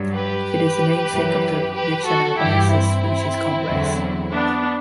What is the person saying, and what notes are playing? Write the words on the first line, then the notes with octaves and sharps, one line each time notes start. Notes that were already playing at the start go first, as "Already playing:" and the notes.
It is the namesake of the "Vicia narbonensis" species complex.
Already playing: G2 F#3
G4 B4
F#2 E3
G4 B4
F#4 A4
G2 E3 E4 G4
C4 E4
E2 D3 F#3
B3 D4